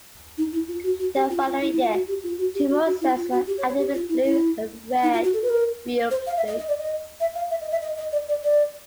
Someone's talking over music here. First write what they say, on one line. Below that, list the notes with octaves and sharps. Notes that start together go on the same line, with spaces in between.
The following year, two more sets were added with blue and red wheel plates.
D#4
E4
F4
F#4
F#4
G4
F4
F4
E4
E4
F4
F#4
G4
F4
F#4
G4
F#4
F#4
E4
F4
F#4
G4
C#5
C#5
G4
F4
E4
E4
D#4
F4
F#4
A4
B4
A#4
C5
F5
E5
D#5
D#5
D5
D#5
E5
F5
E5
D#5
E5
D#5
D#5
D5
D5
D5